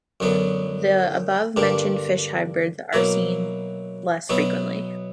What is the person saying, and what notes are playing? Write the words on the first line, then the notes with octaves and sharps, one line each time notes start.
The above-mentioned fish hybrids are seen less frequently.
F#2 D3 F#3 B3
G2 D3 A#3 D4
B2 F#3 A#3 E4
B2 F#3 B3 E4